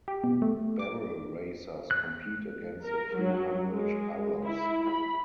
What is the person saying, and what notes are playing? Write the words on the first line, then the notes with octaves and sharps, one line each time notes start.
Barrel Racers compete against a few hundred others.
G4
B2
A3
D6
F#6
A#4
F#3
G#3
E4
B5